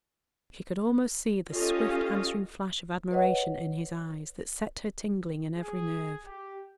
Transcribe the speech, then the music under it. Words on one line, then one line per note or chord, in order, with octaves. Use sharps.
She could almost see the swift answering flash of admiration in his eyes that set her tingling in every nerve.
C#4 F4 G4 A4 D#5 F5
B4 C#5 D#5 F#5
G#4
G4